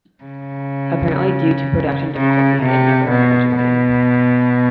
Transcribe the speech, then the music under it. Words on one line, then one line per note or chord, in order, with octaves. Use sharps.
Apparently due to production difficulties, it never eventuated.
C#3
C#3
C3
B2
B2